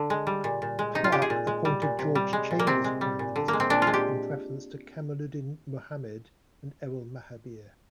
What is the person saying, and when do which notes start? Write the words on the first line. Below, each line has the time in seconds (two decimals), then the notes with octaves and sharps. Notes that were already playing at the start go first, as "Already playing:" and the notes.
Clarke appointed George Chambers Prime Minister in preference to Kamaluddin Mohammed and Errol Mahabir.
Already playing: D3
0.10 G#3
0.27 G3
0.44 A#2
0.62 A#2
0.79 G#3
0.95 C3 D#4
1.04 F4
1.12 G#3 G4
1.22 G#4
1.30 A#2
1.47 G#3
1.65 G3
1.82 A#2
1.99 C3
2.15 G3
2.33 G#3
2.51 A#2
2.59 A#3
2.67 C3 C4
2.84 G#3
3.01 G3
3.19 A#2
3.36 D3
3.48 A#3
3.53 G#3
3.60 C4
3.70 A#2 D4
3.82 F4
3.87 G#3
3.94 G4